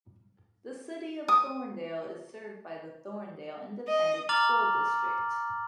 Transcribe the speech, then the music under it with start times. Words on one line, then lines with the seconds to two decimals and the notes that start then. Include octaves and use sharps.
The City of Thorndale is served by the Thorndale Independent School District.
1.28 D#6
3.88 D#5
4.29 A#5 D6 F6 A6 F#7